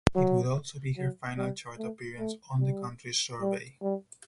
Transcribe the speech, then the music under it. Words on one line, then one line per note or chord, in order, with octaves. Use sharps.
It would also be her final chart appearance on the country survey.
F#3
F#3
G3
A3
A3
G3
G3
G3